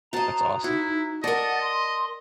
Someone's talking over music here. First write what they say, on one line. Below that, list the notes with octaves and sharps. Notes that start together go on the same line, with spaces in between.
That's awesome.
F#4 C5 D#5 A5 A#5
D#4 E4 F#4
A#4 D5 D#5 F#5 A5 A6
C6